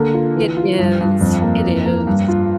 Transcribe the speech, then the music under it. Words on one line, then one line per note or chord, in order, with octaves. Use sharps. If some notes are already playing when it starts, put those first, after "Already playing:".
It is. It is.
Already playing: D3 A#3
F4
E3
F4
G2
G2
F2
A#3
F2
A#3
G2
F4